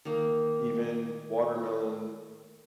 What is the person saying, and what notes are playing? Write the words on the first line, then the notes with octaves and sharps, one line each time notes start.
even watermelon
D#3 A#3